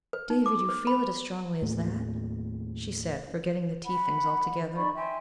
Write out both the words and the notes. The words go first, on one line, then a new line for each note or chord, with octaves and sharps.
"David, you feel it as strongly as that!" she said, forgetting the tea things altogether.
B4
D#4
D6
B4
B5
D#2 A2 A3 A#3
F#5 B5
D#4 D5 B5 C#6
E5 G5 G#5 C6